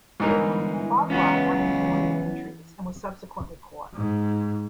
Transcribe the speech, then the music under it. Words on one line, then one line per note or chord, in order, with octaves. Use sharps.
Bogrov ran to one of the entries and was subsequently caught.
G1 G#2 E3 D#4 A#4
C#2 F#3 B3 C#4
G#2